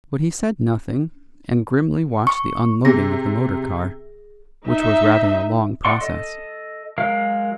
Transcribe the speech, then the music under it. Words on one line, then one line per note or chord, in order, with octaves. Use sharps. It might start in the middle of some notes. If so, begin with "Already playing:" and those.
But he said nothing and grimly watched the unloading of the motor-car, which was rather a long process.
C#6
C3 G#4 A#6
D#4 E5
D5 F#5 C6 C#6
A4 D#5
F#3 G#3 A#4 F5